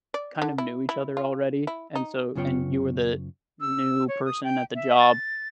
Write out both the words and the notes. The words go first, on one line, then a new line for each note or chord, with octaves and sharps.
kind of knew each other already, and so and you were the new person at the job,
D5
D3
E4
E4
F4
E4
D#4
F#2 C#3 B3 F4 C#5 G5
E6
C#5
D#6
G5
E5
A6